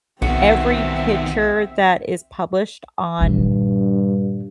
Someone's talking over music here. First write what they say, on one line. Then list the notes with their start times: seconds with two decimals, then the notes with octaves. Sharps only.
every picture that is published on
0.22 B1 D#3 B3 C4 F#4 E5
3.21 G2 A#2 D#3